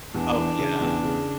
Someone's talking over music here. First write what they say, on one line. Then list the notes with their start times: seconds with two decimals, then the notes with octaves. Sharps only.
Oh, yeah.
0.14 E2 D4
0.36 E3
0.58 C#3
0.81 E2
1.03 C#3